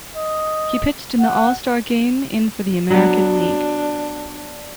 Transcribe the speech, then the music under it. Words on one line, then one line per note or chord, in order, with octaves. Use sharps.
He pitched in the All-Star Game in for the American League.
D#5
F#5
F#3 B3 D4